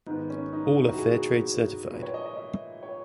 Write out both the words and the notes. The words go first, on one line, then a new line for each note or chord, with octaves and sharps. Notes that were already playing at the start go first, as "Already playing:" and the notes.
All are Fairtrade Certified.
G#2 D#3 B3
C#4
D#4
E4
F#4
G#4
A#2 B4
C#5
D#5
D#5
E5
C#5